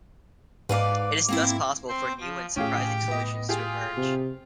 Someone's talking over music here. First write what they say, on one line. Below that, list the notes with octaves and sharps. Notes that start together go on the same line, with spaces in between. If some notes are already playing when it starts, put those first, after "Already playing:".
It is thus possible for new and surprising solutions to emerge.
G#2 B4 D5 F5 D6
A#3 C4 E4
C4 C5
F3
A2 C#4 F4 G4 G#4 G5
B3 D#5
F4 G4 G#4
C3